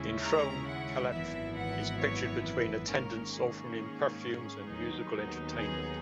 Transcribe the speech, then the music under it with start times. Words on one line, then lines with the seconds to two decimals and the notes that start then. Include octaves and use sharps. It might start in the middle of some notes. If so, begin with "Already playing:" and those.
The enthroned caliph is pictured between attendants offering him perfumes and musical entertainment.
Already playing: D#2 C#3 G#3 C#4 E4
0.22 A#5
0.66 F#5
1.10 G#1 F#2 E3 B3 E4 E5
1.56 F#5
2.00 C#5
2.44 B4
2.89 G#2 D#3 A#3 C#4 A#4
3.34 G#4
4.67 D#2 D#3 F#3 B3 D#4
5.56 G#4